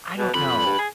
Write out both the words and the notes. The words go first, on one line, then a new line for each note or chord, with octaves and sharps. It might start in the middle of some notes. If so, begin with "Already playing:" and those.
I don't know.
B2
F2 B5
G2
G#4